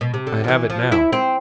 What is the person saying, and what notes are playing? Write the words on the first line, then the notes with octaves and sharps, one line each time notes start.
I have it now.
B2
C3
D3
F3
E3
F3
E4
C4